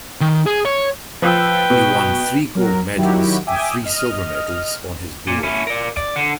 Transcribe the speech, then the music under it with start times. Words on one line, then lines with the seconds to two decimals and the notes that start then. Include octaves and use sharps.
He won three gold medals and three silver medals on his board.
0.21 D#3
0.46 G#4
0.65 C#5
1.22 F3 B4 G5 E6
1.70 B2
2.55 F#3 A#4
2.97 D#3 F#3 E4 F#4 G4
3.47 E5 G5 G#5 D6 D#6
3.84 D#5 F6
5.27 A#2
5.43 C#4 E4
5.67 A#4 D5
5.97 D5
6.16 D3